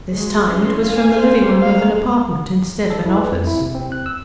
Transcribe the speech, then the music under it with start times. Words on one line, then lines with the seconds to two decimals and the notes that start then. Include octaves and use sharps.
This time, it was from the living room of an apartment instead of an office.
0.12 G#3 F#4
0.47 E3 C#4 C6
0.85 F5 G#5
1.17 C5
1.61 A#3 C#4 F5
2.90 A4
3.05 E4
3.17 B4
3.32 F2
3.47 E4
3.61 C3
3.75 C4
3.92 F#6
4.06 E6